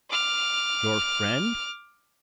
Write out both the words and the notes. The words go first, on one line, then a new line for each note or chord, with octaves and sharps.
"Your friend?"
D6 F6